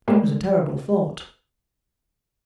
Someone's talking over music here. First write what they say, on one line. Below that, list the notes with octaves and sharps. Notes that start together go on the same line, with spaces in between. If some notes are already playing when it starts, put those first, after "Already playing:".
It was a terrible thought.
A2 G3 G#3 A#3